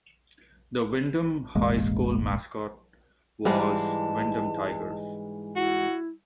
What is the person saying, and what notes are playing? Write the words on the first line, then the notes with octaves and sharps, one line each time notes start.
The Windom High School mascot was Windom Tigers.
E1 A1 G#3 A#3
G#2 E3 G3 G#3 F5 A5
E4 F#4